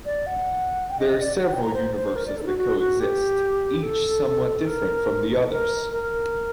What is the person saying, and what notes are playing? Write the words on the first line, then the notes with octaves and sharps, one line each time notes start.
There are several universes that coexist - each somewhat different from the others.
D5
F#5
G5
D#5
D#5
D5
F#5
G5
A#5
C5
C5
A#4
D5
A4
D#4
F#4
F#4
F#4
G4
A4
A#4
A#4
A#4